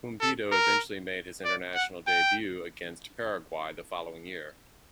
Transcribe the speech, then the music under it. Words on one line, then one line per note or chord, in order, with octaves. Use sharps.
Pumpido eventually made his international debut against Paraguay the following year.
A4
A#4
D5
F#5
G5